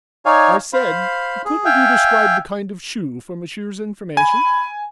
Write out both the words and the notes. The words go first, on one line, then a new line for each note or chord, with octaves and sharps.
"I said, couldn't you describe the kind of shoe, for monsieur's information?"
D#4 C#5 D5 F5 G#5
C5 F5 B5
G#4
E5 F5 G5 G#5
G#5 B5